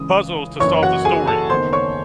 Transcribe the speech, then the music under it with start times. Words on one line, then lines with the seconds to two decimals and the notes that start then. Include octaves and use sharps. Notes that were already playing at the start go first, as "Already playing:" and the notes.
puzzles to solve the story.
Already playing: C#2 C#3 E3 D#6
0.60 F#1 F#2 E3 C#5 C#6
0.83 F#4 F#5
1.05 G#4 G#5
1.27 A4 A5
1.49 F#1 E2 D#3 C5 C6
1.73 C#5 C#6